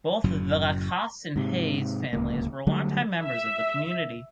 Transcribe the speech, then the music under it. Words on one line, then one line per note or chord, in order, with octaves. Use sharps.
Both the Lacasse and Hayes families were long time members of the community.
F#1 F#2 A2 F#3
G#2 C3
D1 C#2 A#3
D3 F#3 G3 A3
E5